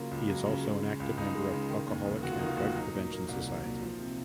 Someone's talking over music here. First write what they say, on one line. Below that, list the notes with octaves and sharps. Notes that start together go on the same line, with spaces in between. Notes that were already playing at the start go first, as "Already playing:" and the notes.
He is also an active member of Alcoholic and Drug Prevention Society.
Already playing: C#3 F#3 A#3 F4
C#2
F#3
C#3
G#3
C#3
C#2
C#2 D#4
G#3
C#3
D#3
D#2
F1
F1 F#4
F4
D#3 D#4
F4
D#2 F#4
F4
F#3 D#4
A#2
A#3
C2
F#3
A#2
F3
C3